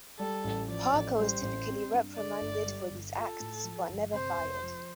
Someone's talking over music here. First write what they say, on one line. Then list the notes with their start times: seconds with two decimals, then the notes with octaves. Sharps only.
Parker was typically reprimanded for these acts but never fired.
0.19 G3 A4
0.44 A1
0.68 F3 D5
0.93 A1
1.18 G3 C5
1.42 A1
1.68 C4
1.92 G2
2.16 D3 D5
2.41 G1
2.66 G3
2.90 G1
3.16 F4 A4
3.40 A2
3.64 F3
3.89 G1
4.14 C3 C5
4.38 F1
4.63 F3